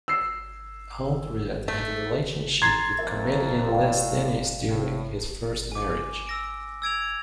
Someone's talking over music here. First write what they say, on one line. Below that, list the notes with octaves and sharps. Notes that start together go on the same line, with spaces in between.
Aldred had a relationship with comedian Les Dennis during his first marriage.
E6 C7
A3
A#5 C6 G#6 A6 C7
F2 A#4 E5
A2 D5 F5 G5
A2 C3
G#5 D6
E6 A#6 D7
E6 G#6 D7 F7